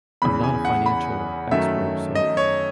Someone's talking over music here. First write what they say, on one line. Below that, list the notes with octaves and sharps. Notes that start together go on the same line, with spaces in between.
I'm not a financial expert, so
E2 C#3 E3 B5
G#5
F#5
B5
F#2 D#3 F#3 A3 E5
D#5
C#5